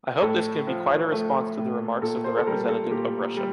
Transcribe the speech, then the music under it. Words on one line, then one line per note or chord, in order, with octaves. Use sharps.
I hope this can be quite a response to the remarks of the representative of Russia.
A2 A4
F3
A3
A2
A#2 A4
C5
A4
G3 A#4
A4
A#2 G4
G3